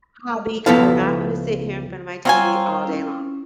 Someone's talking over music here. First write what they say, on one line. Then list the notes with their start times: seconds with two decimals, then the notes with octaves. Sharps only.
a hobby, I do not wanna sit here in front of my TV all day long.
0.66 C#2 F3 B3 E4 A4 F5
2.25 F#3 G3 C4 F4 C5 C#5 G#5 A#5
2.86 C#4 E4